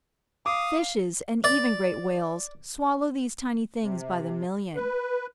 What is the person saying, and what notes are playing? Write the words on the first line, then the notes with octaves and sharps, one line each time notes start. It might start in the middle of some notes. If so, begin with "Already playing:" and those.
Fishes, and even great whales, swallow these tiny things by the million.
F5 D6 D#6
D5
C3
B4